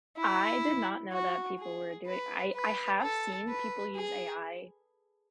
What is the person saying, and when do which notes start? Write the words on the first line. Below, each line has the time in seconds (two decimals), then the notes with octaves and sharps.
I did not know that people were doing I I have seen people use AI,
0.17 E4
1.12 F#4
1.58 G#4
2.07 B4
2.54 B4
3.01 A4
3.48 B4
3.96 G#4